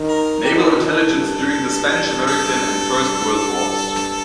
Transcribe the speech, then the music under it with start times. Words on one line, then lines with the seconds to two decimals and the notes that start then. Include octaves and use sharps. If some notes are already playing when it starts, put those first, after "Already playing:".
Naval Intelligence during the Spanish-American and First World Wars.
Already playing: D#3
0.09 A#4
0.45 G4
0.52 D#3 A4
0.82 D#3
1.10 G2
1.39 G2
2.27 A4